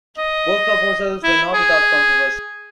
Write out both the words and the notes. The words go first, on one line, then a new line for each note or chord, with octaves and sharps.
Both proposals were not without controversy.
D#5
E4
G#4